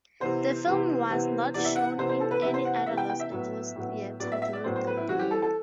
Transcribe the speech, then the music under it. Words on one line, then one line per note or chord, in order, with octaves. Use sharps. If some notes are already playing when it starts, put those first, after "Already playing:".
The film was not shown in any other Los Angeles theater during that year.
C3 E3 B3 C5
C3 E3 B3
C3 E3 B3
C3 E3 B3 D5
E5
F#5
C3 E3 B3 C5
C5
A4
B4
C3 E3 B3 E5
C5
F#5
F#5
C3 E3 B3 E5
G5
G5
E5
A2 F#3 B3
A2 F#3 B3
A2 F#3 B3 D5
E5
E5
D5
A2 F#3 B3 C5
C5
B4
E4
E3 G3 C4 F#4
G4
A4
A4